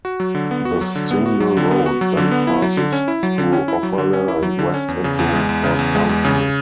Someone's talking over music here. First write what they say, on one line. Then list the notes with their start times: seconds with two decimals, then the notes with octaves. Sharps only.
The single road then passes through Offerle and west into Ford County.
0.05 F#4
0.20 F#3
0.35 D3
0.51 B3
0.65 F#4
0.81 F#3
0.95 D3
1.11 B3
1.26 F#4
1.40 F#3
1.57 D3
1.71 B3
1.86 F#4
2.01 F#3
2.17 D3
2.31 B3
2.47 E4
2.62 F#3
2.77 D3
2.93 C#4
3.08 E4
3.23 F#3
3.38 D3
3.52 C#4
3.68 E4
3.83 F#3
3.98 D3
4.13 C#4
4.28 E4
4.43 F#3
4.59 D3
4.74 C#4
4.88 E2
5.04 C#3
5.19 E2
5.34 G#3
5.49 E2
5.64 C#3
5.79 E2
5.95 G#3
6.09 E2
6.25 C#3